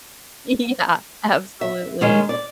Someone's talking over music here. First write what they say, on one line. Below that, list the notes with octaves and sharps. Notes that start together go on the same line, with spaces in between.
Yeah. Absolutely.
E5
D#3 G#3 C#4
D5